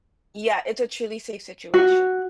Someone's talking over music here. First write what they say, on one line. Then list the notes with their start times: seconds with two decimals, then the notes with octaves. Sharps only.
Yeah. It's a truly safe situation.
1.74 F#4